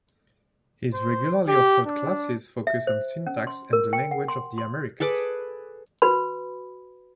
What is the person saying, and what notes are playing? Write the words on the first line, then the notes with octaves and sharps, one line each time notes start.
His regularly offered classes focus on syntax and the languages of the Americas.
C5
G4
D4
E5
C5
C#4
C6
A#4
G5
F#5
C6
C6
G#4 A4 B4 D6
F#4 B4 B5